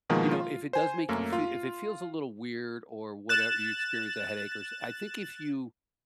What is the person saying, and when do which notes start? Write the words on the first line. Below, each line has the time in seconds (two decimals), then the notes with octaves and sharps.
you know, if it does make you fe if it feels a little weird or whatever you experience a headache or s I think if you
0.10 B2 D#3 F3 G#3 A#3
0.32 F4
0.73 C5 G#5
1.09 F#2 A3 A#3
1.33 F4
3.29 F#6 A6 E7